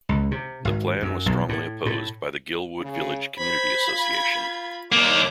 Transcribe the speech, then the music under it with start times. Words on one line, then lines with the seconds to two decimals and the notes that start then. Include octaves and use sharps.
The plan was strongly opposed by the Guildwood Village Community Association.
0.09 C#2
0.31 C3
0.65 G#1
1.02 F#2
1.26 B1
1.49 A2
1.86 A2
2.80 C#3
3.38 C5 B5 G#6
3.88 F4
4.92 D#2 G3 A#3 D6